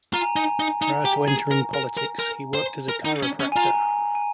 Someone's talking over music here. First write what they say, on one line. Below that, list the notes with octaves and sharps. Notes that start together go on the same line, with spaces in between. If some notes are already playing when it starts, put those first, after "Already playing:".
Prior to entering politics, he worked as a chiropractor.
F4 A#5
G#5
D#4 G#5
D#4
D#4 A#5
G4
G#4
A#4
A#4
A#4
A#4
C5
A#4
D#4
C#4
C#4
G#5
F4 A#5
G#5